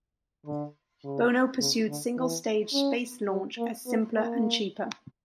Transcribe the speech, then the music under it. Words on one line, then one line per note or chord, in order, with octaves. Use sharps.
Bono pursued single-stage space launch as simpler and cheaper.
D3
C#3
C#3
D3
E3
C#4
G3
A#3
B3
A#3